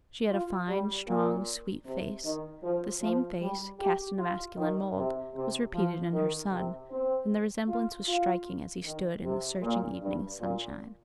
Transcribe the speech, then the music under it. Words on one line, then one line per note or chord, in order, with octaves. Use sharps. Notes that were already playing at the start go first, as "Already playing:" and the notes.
She had a fine, strong, sweet face; the same face, cast in a masculine mould, was repeated in her son, and the resemblance was striking as he stood in the searching evening sunshine.
F4
G3
A#2
C3
D#3
F3
F3
G3
G4
F4
D#3
C3
C3
F3
D#3
C3
C4
F4
F4
D#3
C3
A#2
G2
A#2